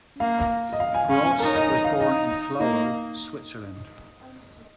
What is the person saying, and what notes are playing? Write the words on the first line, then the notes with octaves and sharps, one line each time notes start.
Gross was born in Flawil, Switzerland.
A#3 F5
D#5
F5
G#5
C#4 F5
G#5
D#4 A#4
C#5
D#5
D#5
F5
D#4 D#5
A#3 D#4